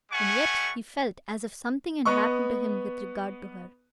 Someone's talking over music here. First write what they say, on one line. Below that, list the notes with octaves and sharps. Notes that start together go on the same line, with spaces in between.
And yet he felt as if something had happened to him with regard to her.
G3 A3 F#5 G#5 C#6
B3 B4 D#5 C#6